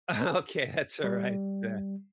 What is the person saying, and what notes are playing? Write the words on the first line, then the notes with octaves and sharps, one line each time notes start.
Okay, that's alright. Yeah.
G3